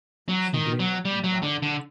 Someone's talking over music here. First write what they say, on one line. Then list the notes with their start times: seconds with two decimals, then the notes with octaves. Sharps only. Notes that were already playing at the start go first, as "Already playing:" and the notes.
She grew up in Ibadan.
0.29 F#3
0.54 D#3
0.80 F#3
1.05 G3
1.24 F#3
1.43 D3
1.62 D3